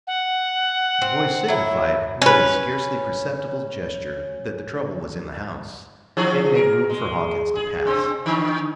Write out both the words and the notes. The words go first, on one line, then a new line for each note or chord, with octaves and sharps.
The boy signified with a scarcely perceptible gesture that the trouble was in the house, and made room for Hawkins to pass.
F#5
C4
F#3 E4
C#4 B4
D#3 F3 G#4
A#4
G#3
G#4
C3 C4
D3